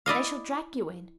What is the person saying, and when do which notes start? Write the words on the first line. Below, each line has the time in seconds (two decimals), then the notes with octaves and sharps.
"They shall drag you in."
0.06 E4 D5 D#5 F5